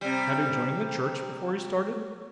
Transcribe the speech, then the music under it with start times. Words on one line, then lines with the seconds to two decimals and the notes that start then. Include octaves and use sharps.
Had he joined the church before he started?
0.01 C3 G3